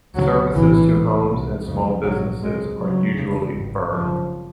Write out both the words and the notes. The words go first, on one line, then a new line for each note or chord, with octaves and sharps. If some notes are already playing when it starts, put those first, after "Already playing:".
Services to homes and small businesses are usually firm.
D2 C#3 F#3
A#1 A2 E3
C#2 C3
C2 C3
F#1 F2 C#3
A#1 G#2 F#3
C#2 C3 G#3
C#2 C#3 F#3
F1 E2 C#3
G#1 G2
G#1 F#2 C#3 F3